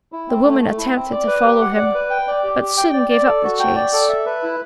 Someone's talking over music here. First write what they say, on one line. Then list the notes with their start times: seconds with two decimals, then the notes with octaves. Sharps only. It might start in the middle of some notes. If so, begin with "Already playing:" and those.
The woman attempted to follow him, but soon gave up the chase.
0.12 E4
0.29 C4
0.45 A3
0.62 A3
0.78 E4
0.95 C4
1.12 D5
1.27 B4
1.45 G4
1.61 F#5
1.77 D5
1.94 B4
2.10 G5
2.27 D5
2.43 G4
2.61 G4
2.77 G5
2.93 D5
3.10 D5
3.26 A4
3.44 F#4
3.59 G5
3.76 D5
3.93 A4
4.09 E5
4.26 B4
4.43 E4